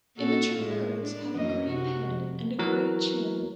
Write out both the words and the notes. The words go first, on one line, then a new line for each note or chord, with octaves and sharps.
Immature birds have a green head and a grey chin.
A#2 F#4 A4
A2 G#3
D4
F#2 E3 D#5
C3 F#4
F2
E3 F#3 A#4